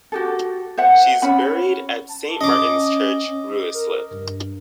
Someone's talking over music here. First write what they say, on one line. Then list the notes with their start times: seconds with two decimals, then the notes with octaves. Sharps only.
She is buried at Saint Martin's Church, Ruislip.
0.12 F#4 G4 A4
0.77 C5 E5 F#5
1.22 C#4 F#5 B5
2.09 A5
2.41 C#4 D#5 D6
3.74 A#4
4.11 G2